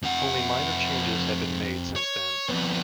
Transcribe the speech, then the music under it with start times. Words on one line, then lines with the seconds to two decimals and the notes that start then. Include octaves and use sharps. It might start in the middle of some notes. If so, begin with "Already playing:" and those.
Only minor changes have been made since then.
0.02 F2 F#5
1.96 C#5
2.49 F2 B3